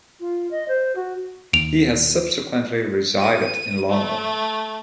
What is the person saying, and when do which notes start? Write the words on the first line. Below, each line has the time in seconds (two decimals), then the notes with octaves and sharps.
He has subsequently resided in London.
0.20 F4
0.51 D#5
0.68 C5
0.95 F#4
1.53 D#2 D7 F7
3.20 D#7
3.89 A3